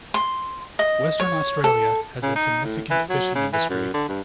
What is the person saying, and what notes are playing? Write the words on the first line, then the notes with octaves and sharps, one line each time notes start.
Western Australia has a significant fishing industry.
C6
D#5
C#5
A4
C#3
D#4
A2
E3
F#3
C#3
E3
F#2
D3
G2